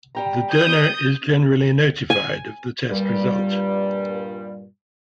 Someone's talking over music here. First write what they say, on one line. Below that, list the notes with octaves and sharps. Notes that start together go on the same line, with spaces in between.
The donor is generally notified of the test result.
G3 G4 A#5
D#6 G6
G#5
G2 A#2 G3